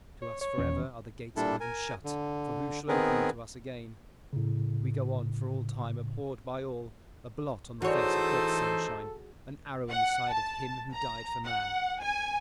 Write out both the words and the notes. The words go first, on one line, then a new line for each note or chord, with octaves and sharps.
To us for ever are the gates of heaven shut; for who shall open them to us again? We go on for all time abhorred by all; a blot on the face of God's sunshine; an arrow in the side of Him who died for man.
C#5
C#5
D#1 E2 C#4
A#2 G3 D4 E4 A4
A#4 G#5
D3
D#3 B3 C4 G#4 A#4 B4
A2 C#3
E3 A3 D#4 F#4 G#4 A4 C5 C#5
F#5
A5
A#5
F#5
G#5